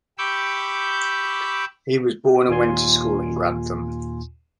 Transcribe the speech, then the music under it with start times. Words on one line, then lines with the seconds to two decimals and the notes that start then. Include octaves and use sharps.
He was born and went to school in Grantham.
0.18 G4 B5 C#6 D6 E6 G6
2.49 D#2 A#2 F4 G#5 C6